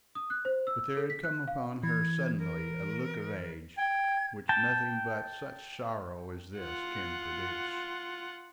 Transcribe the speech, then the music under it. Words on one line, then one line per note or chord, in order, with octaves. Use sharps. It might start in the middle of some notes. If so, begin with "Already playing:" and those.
But there had come upon her suddenly a look of age, which nothing but such sorrow as this can produce.
D#6
F#6
C5
E6
A4
B6
F#6
F5
E3 G#6
A#4
G5 G#6
G5 A5
F4 F#5